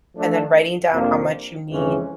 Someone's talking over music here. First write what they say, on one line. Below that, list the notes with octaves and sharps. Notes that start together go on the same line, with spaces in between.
and then writing down how much you need
F3 A3 D4
F2 C3 F3 A#3 D4
F2 C#3 E3 G#3 C#4